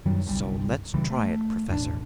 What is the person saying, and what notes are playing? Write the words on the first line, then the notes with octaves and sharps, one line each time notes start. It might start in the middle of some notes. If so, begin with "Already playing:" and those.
"So let's try it, professor."
F#2 D#3 F#3 G3
G1 C2 G3
A#1 C#3 E3 G3
A3
E1 A1 D4